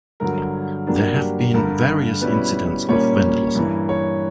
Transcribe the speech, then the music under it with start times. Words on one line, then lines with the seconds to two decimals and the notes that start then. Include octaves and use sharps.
There have been various incidents of vandalism.
0.20 G2 D3 F#3 A#4
0.87 G2 F#3 A#3 D4 G4
1.01 A#4
1.14 G4
1.54 G2 D3 G3 A#4
2.21 B2 G3 C#4 E4 B4
2.89 A#2 G3 A#3 C#4 C#5
3.55 G2 E3 A#3
3.89 C#5